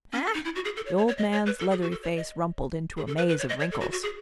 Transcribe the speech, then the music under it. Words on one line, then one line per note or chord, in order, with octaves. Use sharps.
"Ah?" The old man's leathery face rumpled into a maze of wrinkles.
C#4
D#4
E4
F#4
G#4
A4
C#5
C#5
C#5
D#5
C#5
B4
A4
G#4
F#4
A4
C#5
D#5
G#4
A4
B4
B4
C#5
D#5
C#5
A4
F#4
F#4
G#4